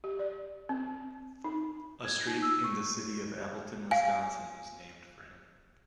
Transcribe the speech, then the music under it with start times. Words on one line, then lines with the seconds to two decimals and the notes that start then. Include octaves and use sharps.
A street in the city of Appleton, Wisconsin is named for him.
0.04 G4
0.19 D5
0.69 C4
1.44 D#4
2.05 G#6
2.27 D#4
2.42 E6
2.64 C#6
3.91 F5 G#5